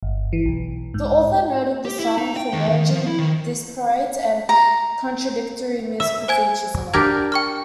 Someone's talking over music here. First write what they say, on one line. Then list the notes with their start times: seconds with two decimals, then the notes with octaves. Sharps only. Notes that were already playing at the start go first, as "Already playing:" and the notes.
The author noted the song for merging disparate and contradictory musical features in it.
0.03 G1
0.33 E3
0.45 B1
0.94 G#2
1.85 G4
2.00 E4
2.18 D#4
2.37 G5
2.53 D#2
2.68 D#3
2.91 F3
3.07 E4
3.19 D#3
4.49 A#5
6.00 E5
6.28 C5 G#5 G#6
6.94 D4 G4 A#4 G#6
7.32 G5 C#6 F6